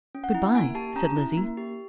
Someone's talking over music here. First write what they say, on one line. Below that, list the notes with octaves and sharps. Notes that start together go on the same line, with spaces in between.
"Good-bye," said Lizzie.
C#4
F#5
E4
A#3 G#5
G4 A5
C#4 A#5
E4
A#3
G4